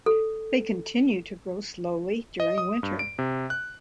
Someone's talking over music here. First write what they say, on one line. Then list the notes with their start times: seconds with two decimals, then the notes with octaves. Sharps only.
They continue to grow slowly during winter.
0.06 A4
2.40 D#5
2.58 D#6
2.83 G2
2.99 D7
3.19 C3
3.50 F#6